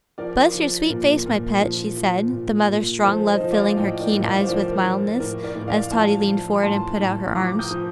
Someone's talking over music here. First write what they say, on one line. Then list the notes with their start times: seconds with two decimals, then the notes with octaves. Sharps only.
"Bless your sweet face, my pet," she said, the mother's strong love filling her keen eyes with mildness, as Totty leaned forward and put out her arms.
0.18 F3 A#4 D5
0.54 F3
0.90 A#2 A#4
1.26 A#2 A#4
1.61 F3
1.97 F3
2.33 A#2
2.69 A#2
3.04 F3 A4 C5
3.28 C5 D#5
3.40 F3
3.52 D5 F5
3.77 A2 D#5 G5
4.00 A#4 D5
4.12 A2
4.24 D5 F5
4.40 C5
4.48 F3 A#4 D5
4.72 A#4
4.84 F3
5.20 A2 A#4
5.44 A#4 D5
5.55 A2
5.68 D5 F5
5.91 F3 F5 A5
6.28 F3
6.63 A2 A5 C6
7.00 A2
7.35 F3 A#5 D6
7.59 D#6 G6
7.71 F3